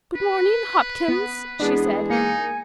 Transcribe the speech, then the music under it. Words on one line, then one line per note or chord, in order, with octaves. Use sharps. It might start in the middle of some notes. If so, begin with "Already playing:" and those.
"Good morning, Hopkins," she said.
B4
B3
E2 G#3 B3 D4 G#4
A#3 D#4 G#5 C#7